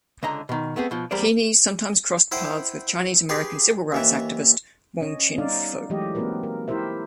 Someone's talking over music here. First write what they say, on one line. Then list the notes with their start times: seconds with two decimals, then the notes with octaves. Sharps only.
Kearny sometimes crossed paths with Chinese-American civil rights activist Wong Chin Foo.
0.23 C#2 D3 D#5 A#5
0.49 B2 D#3
0.76 A3 B3 C4 G#4
0.91 B2 F3
1.11 E2 G3 A#3 C5 D5
2.32 E4 C5 F#5 G5
3.29 G4 G#4 B4 C6
3.92 D#2 E3 E5
5.01 C#4 C#5 D#5
5.38 G3 B3 C#4 D#4 D5 F5
5.90 E3 F#3 G#3 A3 G4 D#5
6.15 A#3 C4 D#4 F#4 A#4 B4
6.43 A#4
6.68 E4 G4 A#4 C5 E5